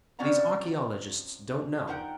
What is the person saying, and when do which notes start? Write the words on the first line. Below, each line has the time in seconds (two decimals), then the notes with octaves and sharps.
These archaeologists don't know.
0.19 C3 F3 C#4 D5 F#5 A#5
1.87 F3 D#4 A#4 F#5 G5